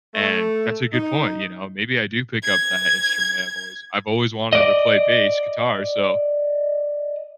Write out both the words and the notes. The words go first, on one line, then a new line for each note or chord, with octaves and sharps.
and that's a good point, you know? Maybe I do pick up that instrument I've always I've always wanted to play bass guitar, so,
A3
D#4
G#6
D5 D#5